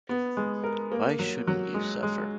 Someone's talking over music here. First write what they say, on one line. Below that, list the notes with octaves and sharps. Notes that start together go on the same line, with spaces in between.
Why shouldn’t you suffer?
B3
G#3
A#4
A#3
F#3
F#3
G#3
G#3